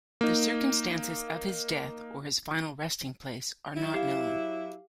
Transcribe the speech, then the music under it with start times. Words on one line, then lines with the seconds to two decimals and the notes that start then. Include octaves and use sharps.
The circumstances of his death or his final resting place are not known.
0.21 A#3 D#4
3.77 F#3 E4
3.94 G4 F5